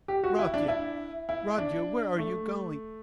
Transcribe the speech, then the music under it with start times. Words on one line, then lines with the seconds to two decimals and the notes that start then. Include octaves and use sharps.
Rodya, Rodya, where are you going?
0.08 G4
0.24 F#4
0.39 E4
0.54 D4
0.68 E4
1.29 E4
1.58 D4
2.18 A3